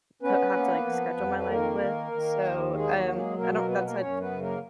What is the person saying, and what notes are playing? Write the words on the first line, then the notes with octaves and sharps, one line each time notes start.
coo have to like schedule my life with, so, um, I don't that said
B3 C#4 B4
A#3
F3
F2
B4
D#3 A#3 A#4
D#3
D#3
D#2
G#3 A#3 G#4
F#3 F#4
F#3
G#3 G#4
B2 A#3 A#4
A#3 A#4
A#3 B3 B4
A#3 A#4
F#2 C#4 C#5
B3 B4
C#3
A#3 A#4